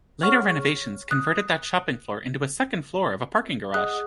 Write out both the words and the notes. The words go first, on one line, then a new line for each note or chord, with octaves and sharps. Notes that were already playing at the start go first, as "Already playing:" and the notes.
Later renovations converted that shopping floor into a second floor of parking garage.
G#4 C#5 F#5 C#6 F6
D#6 F#6
G#4 D#5 F#5 D#6 F#6